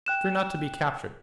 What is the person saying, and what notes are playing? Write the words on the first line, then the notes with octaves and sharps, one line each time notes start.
Fear not to be captured.
G5 F#6 E7